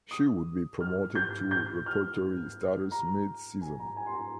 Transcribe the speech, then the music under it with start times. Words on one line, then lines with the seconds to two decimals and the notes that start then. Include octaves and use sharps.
She would be promoted to repertory status mid-season.
0.11 D#6
0.81 F6
1.15 G6
1.51 G6
1.86 F6
2.91 A#5
3.61 G#5
3.80 A#5
3.97 G#5
4.06 C6
4.14 A#5